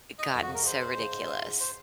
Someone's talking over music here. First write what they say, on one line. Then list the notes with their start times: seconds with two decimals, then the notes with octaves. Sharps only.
I gotten so ridiculous.
0.19 D#4 D#5
0.34 F2
0.43 F#4
0.50 C#3 A#4
0.66 G#3 C5
0.82 G#3
0.97 C#3
1.13 G#2
1.28 F4
1.44 G#2
1.60 C5